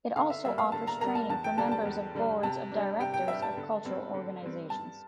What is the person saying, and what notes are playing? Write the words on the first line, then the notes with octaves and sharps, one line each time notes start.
It also offers training for members of Boards of Directors of cultural organisations.
D3 F5
E5
G3 A#3 E5
F5
D3 A5
A#5
G3 A#3 A#5
A5
E2 A5
G5
D3 G3 D4 A5
A5
E2
D3 G3 D4
C3 A5
G3 D4
C3 G5
G5
G3 D4 E5
A5
D3
G3 C4
D3
G3 C4
G2 A5